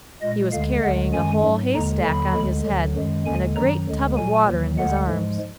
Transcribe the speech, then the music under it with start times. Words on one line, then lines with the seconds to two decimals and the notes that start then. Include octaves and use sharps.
He was carrying a whole haystack on his head and a great tub of water in his arms.
0.21 A#2 G#3 D#5
0.52 D2 D3 G#3 F5
0.82 D2 D3 G#3 F#5
1.13 F#2 D#3 G#3 G#5
1.43 G#2 F#3
1.74 D#2 D3 G#3 A#5
2.04 D#2 D3 F#3 B5
2.35 D2 D3 G#3
2.65 D2 D3 F#3
2.95 F#2 D#3 G#3
3.25 D#2 D3 G#3 G#5
3.56 F#2 D#3 F#3 A#5
3.86 D2 D3 G#3
4.17 A#2 F#3 G#5
4.47 D#2 D#3 F#3
4.78 D2 D3 G#3 F#5
5.08 G#2 F3 G#3